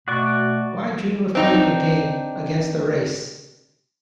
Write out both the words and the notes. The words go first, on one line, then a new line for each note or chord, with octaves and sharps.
Why dream of playing a game against the race?
B2 A3 F#4 D5 C#6
C4 D4 D#4